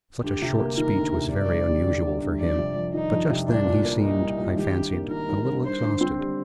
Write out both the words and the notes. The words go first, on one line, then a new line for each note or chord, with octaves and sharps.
Such a short speech was very unusual, for him: but just then he seemed, I fancied, a little exhausted.
D2 G4
C3
A#3
D#3 A#4
D2
C3
G1 D5
G2
G3
D3
G1
G2
F2 D5
C3
F2
D#3 D#4
F2
C3
C2 D4
A#2
A#3
G3 D#4
C2
A#2
G#1 G4
G2
A#3
D#3 A#4
G#1
G2
G2 C5
D3
C4
G3